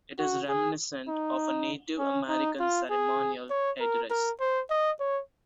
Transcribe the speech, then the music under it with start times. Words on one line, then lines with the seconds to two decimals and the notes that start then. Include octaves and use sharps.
It is reminiscent of a Native American ceremonial headdress.
0.19 F#4
0.49 G#4
1.08 D#4
1.99 C#4
2.29 D#4
2.60 F4
2.90 G#4
3.50 C#5
3.80 A#4
4.10 A#4
4.41 C5
4.70 D#5
5.00 C#5